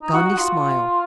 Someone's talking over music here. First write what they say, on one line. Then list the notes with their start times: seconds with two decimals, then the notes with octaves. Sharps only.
Gondy smiled.
0.02 D#4
0.14 F#4
0.25 F#4
0.37 F4